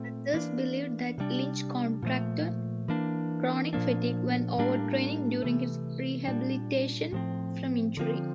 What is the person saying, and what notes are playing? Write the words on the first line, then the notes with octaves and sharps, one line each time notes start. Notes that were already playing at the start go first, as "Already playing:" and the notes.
Others believed that Lynch contracted chronic fatigue when overtraining during his rehabilitation from injury.
Already playing: A#2 A3 C4
E3 A#3 D4
C3 G3 D4
A#2 F3 A3
E3 A#3 D4
A#2 F3 A#3 D4
A2 G3 A#3 D4
C3 E3 A3
A#2 G3 D4
A2 F3 C4
D3 F3 C4